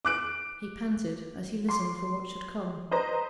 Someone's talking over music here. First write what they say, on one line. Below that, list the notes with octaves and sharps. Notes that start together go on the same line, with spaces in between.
He panted as he listened for what should come.
D6 F#6 D7
C6 D6
B4 C5 D#5 A#5